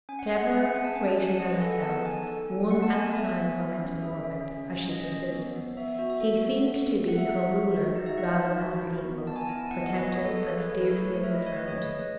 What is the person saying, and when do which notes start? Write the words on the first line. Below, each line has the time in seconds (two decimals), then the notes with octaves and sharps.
Cleverer, greater than herself, one outside her mental orbit, as she considered him, he seemed to be her ruler rather than her equal, protector, and dear familiar friend.
0.09 C#4 G#5
0.19 F#5
0.30 G#4 F#5
0.42 F#5
0.52 G#4 E5
0.63 F#5
0.74 G#4 G#5
0.84 A5
0.95 C#4 G#5
1.06 A5
1.18 C#4 G#5
1.29 F#5
1.39 G#4 D#5
1.50 B4
1.61 G#4 A4
1.72 F#5
1.83 B3 A5
2.05 D#4 G#5
2.27 A4
2.49 A4
2.71 B3 F#5
2.82 A5
2.93 B3 G#5
3.04 G#5
3.15 B3 E5
3.36 B3
3.59 E4
3.80 C#4
4.02 G#4 E5
4.24 C#4
4.46 C#4
4.68 C#4
4.89 C#4 D#5
5.12 C#4
5.33 B3
5.56 B3
5.77 B3 E5
5.88 E5
5.99 F#4 E5
6.10 E5
6.21 A4
6.42 B3
6.64 A4
6.86 B3
7.08 A4 F#5
7.18 E5
7.28 D#4 F#5
7.52 F#4
7.74 F#4
7.95 D#4 D#5
8.06 E5
8.17 D#4 F#5
8.29 A5
8.40 D#4
8.61 F#4
8.83 E4
9.05 B3
9.27 B3 A5
9.36 G#5
9.41 A5
9.49 E4
9.56 G#5
9.71 B3 F#5
9.81 D#5
9.92 B3 D#5
9.99 B4
10.03 C#5
10.15 G#4 C#5
10.25 A4
10.36 G#4 C#5
10.47 C#5
10.58 G#4 B4
10.69 A4
10.81 E4 B4
10.91 C#5
11.01 A3
11.13 C#5
11.24 E4 E5
11.35 D#5
11.46 A3 C#5
11.56 B4
11.67 G#4 C#5
11.78 D#5
11.90 G#4